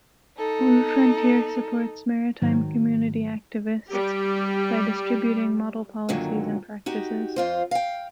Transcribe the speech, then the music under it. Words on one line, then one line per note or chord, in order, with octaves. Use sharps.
Blue Frontier supports maritime community activists by distributing model policies and practices.
D#4 A4
G#2 D#3 F#3
G3 G4
F#2 A#2 D3 D#3 F#3
D#4 F#4 G4
F2 F4 C5
F5 G5